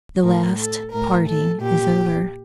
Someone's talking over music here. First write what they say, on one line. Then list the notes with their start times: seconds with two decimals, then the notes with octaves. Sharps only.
The last parting is over.
0.24 A2 A#4
0.59 A4
0.93 A2 A#4
1.28 A4
1.61 A#2 G4